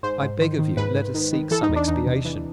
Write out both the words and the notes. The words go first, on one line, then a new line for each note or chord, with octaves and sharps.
I beg of you let us seek some expiation.
G#2 C5
G#2
D#3
D#3
G#2 B4
G#2
D#3
D#3
E3 A4
D#4
E2
D4
E2 D#4
C3
E3